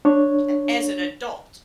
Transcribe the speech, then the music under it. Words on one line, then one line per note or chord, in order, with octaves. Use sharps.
a as an adult.
D4 C#5